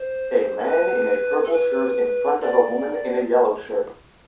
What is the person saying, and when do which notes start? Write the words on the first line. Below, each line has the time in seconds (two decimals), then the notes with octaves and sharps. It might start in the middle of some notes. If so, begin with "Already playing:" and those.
A man in a purple shirt in front of a woman in a yellow shirt.
Already playing: C5
0.58 A4
0.64 B4
1.44 A4
1.51 B4
2.40 D5